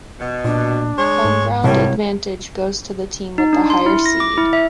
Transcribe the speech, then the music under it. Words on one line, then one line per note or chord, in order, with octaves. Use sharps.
Home-ground advantage goes to the team with the higher seed.
B2
A#2 D4
G#3 C#5
G#2
C2 A2 G3 C#5
D#4
D4
C6
E4
A#6
D6
E4
E5